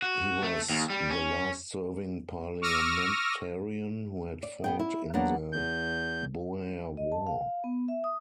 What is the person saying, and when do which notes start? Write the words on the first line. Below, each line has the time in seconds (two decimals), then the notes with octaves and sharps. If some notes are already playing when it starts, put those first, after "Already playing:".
He was the last serving parliamentarian who had fought in the Boer War.
0.02 F#4
0.43 A3
0.70 D#2
0.90 G3
1.10 C#4
2.62 C#6 D6 E6 F6 A#6 D#7
4.43 D5
4.64 B3 G#4 G5
4.79 E4
5.14 F#3 A#3 B3 D4 D5 F#5
5.52 E2 G6
6.97 D#5
7.12 A5
7.27 F5
7.64 B3
7.88 E5
8.04 D#6